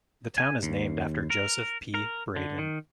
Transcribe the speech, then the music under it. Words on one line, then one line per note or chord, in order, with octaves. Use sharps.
The town is named after Joseph P. Braden.
G#5
D#2
A#4
A#4
D3
D#3